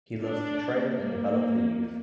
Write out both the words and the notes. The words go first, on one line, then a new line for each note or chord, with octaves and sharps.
He loves to train and develop the youth.
D4
A#3